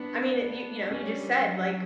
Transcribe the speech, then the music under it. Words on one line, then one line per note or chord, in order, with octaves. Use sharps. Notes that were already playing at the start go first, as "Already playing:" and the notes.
I mean, uh, you you know, you just said like, f
Already playing: B3 D4
B3
G3 C#4
F#3